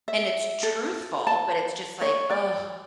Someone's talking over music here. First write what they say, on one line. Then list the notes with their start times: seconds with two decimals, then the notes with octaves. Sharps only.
and it's truthful, but it's just like, oh,
0.08 E5
0.63 A4
1.27 A5
2.01 C#5
2.30 D5